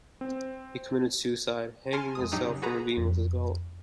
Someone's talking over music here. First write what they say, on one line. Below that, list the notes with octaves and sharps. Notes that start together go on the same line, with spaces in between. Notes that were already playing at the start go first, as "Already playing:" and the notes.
He committed suicide, hanging himself from a beam with his belt.
C4
G#5 A5 C6 F6
F2 G#3 D#6
A2 F#3 D4 D#4 G4
C#3
F#4 G#4 B4 A#5
F2